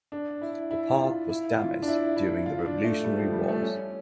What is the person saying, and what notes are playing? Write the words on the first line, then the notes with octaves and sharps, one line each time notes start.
The park was damaged during the Revolutionary wars.
D4
E4
E4
F4
E4
F4
D4
E4
E4
F4
D4
A3
G3
F3
G3
A3
C#4